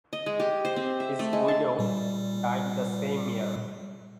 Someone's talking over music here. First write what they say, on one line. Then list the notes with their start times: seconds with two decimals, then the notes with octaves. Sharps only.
His widow died the same year.
0.13 D#5
0.26 G#3
0.40 G4
0.65 C5
0.76 C4
1.00 E5
1.19 A3
1.33 G#3
1.48 A5
1.79 A#2 G3